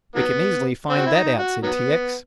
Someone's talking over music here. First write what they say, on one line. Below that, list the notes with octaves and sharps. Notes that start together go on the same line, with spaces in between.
"We can easily find that out," said T. X.
D#3 F#3 B3
C4
F#4
E4
D#4
F#4
D#3 F#3 B3